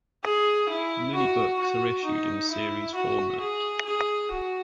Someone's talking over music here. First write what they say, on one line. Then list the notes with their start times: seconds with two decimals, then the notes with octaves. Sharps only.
Many books are issued in series format.
0.24 G#4
0.70 E4
1.15 F#4
1.60 F#4
2.05 D#4
2.51 E4
2.95 F#4
3.41 G#4
3.85 G#4
4.31 F#4